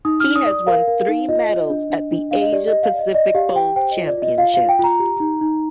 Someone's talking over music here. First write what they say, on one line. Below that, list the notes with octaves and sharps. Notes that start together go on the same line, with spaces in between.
He has won three medals at the Asia Pacific Bowls Championships.
D#4 D#6
F6
D#4
D#6
D5
D#6
A#4 F5
A#4
D#4
F4 D#5
F4
D4
D4
D4
D4 F5
D#5
G4 D5
D#5
G4
F5
D5
D#5
D5 D#5
G4 F5
G4 G5
C5 G5
D#5
F4
D5
F4 D#5
F4 F5
F4 F5
G5
F4 A#5
G4
D#4
D#4